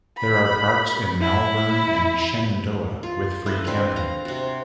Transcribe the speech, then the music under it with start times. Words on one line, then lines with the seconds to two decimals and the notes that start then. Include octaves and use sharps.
There are parks in Malvern and Shenandoah with free camping.
0.18 B5
1.21 E4
3.03 F4
3.46 A3 E4 B4
3.67 C4 D4 B4
3.96 F5 A#5
4.25 C3 F#4